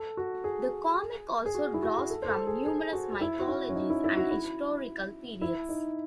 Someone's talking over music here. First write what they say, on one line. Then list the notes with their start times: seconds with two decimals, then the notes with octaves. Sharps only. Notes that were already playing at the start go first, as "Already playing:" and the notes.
The comic also draws from numerous mythologies and historical periods.
Already playing: A4
0.17 F#4
0.44 G#4
1.46 G#4
1.55 F#4
1.74 E4
1.83 F#4
1.97 G#4
2.10 A4
2.22 C5
2.29 A4
2.47 G#4
2.65 G#4
2.93 F#4
3.12 F#4
3.21 E4
3.39 F#4
3.48 E4
3.69 C#4
3.76 D#4
3.90 E4
4.04 E4
4.17 F#4
4.31 E4
5.41 E4
5.69 D#4